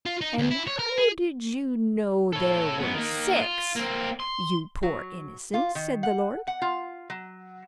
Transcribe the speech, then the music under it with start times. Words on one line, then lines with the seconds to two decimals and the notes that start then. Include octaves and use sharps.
"And how did you know there were six, you poor innocent?" said the lord.
0.06 F4
0.21 D#4
0.38 D2
0.51 E4
0.67 C#5
0.79 A#4
0.98 G#4
2.33 A4 C#5
2.79 F#2 B3
2.94 D#3 A#3
3.40 F4
3.76 A#3 C4
4.20 C6
4.83 F#3
5.54 F4
5.75 D#3
6.03 F#5
6.47 F#5
6.62 F4
7.10 F#3